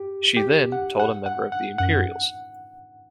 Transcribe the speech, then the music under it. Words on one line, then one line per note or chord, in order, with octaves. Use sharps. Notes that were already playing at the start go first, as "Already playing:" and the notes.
She then, told a member of The Imperials.
Already playing: G4
G4
F#5
F#5
F#5
F#5
F#2 F#5